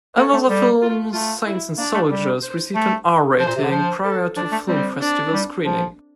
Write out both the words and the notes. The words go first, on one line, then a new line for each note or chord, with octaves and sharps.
Another film, "Saints and Soldiers" received an R-rating prior to film festival screening.
A#3 A4
A3
G3 A4
F4
A3 F4
E4
A#3 D4
A3
G3
C5
A3
F3 C5
A#2
C3
D3
F3 C5
A4
F3 D4
A3
G3 C4
D4
G3
F3